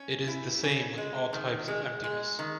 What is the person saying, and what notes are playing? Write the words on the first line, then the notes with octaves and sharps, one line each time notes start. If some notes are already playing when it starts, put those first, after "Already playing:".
It is the same with all types of emptiness.
Already playing: C#4
E4
C#4
G#3
D#3
G#3
G#3
D#3